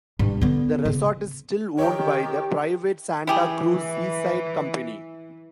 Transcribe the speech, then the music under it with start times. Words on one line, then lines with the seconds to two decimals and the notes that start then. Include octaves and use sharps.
The resort is still owned by the private Santa Cruz Seaside Company.
0.19 G2
0.41 D3 B3
0.85 C#3
1.79 D#3 G4 C#5 G5
3.27 E3 E4 G4 G#4